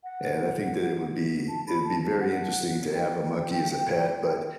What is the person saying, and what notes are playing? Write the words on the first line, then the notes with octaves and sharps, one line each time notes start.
and I think that it would be it'd be very interesting to have a monkey as a pet, but
F#5
A5
B5
A5
A5
F#5
G5